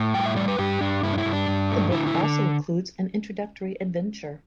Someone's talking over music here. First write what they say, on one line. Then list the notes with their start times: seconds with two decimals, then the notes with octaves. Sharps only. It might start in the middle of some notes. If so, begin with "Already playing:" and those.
The book also includes an introductory adventure.
Already playing: A2
0.14 G3 G5
0.26 E5
0.36 G3 D5
0.48 B4
0.58 G2 G4
0.81 G2 D4
1.03 G2 E4
1.13 D4
1.18 E4
1.25 G2
1.33 D4
1.48 G2
1.70 A3
1.92 D3 E4
2.07 E4
2.14 D3